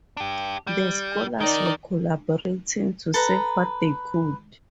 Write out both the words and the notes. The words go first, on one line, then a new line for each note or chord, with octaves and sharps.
The scholars were collaborating to save what they could.
D4 G4
G3
D#3 D#4 D5
A4 B4 A#5